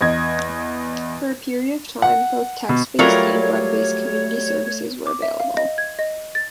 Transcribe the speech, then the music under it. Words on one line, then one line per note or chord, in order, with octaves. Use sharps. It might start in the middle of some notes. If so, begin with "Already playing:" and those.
For a period of time, both text-based and web-based community services were available.
E2 D#5 G#6
F#5
B2
F#3 G3 A3 F4 A#4 C#5 D5
D6
E5
F5
D#5
G#6
D#5
A6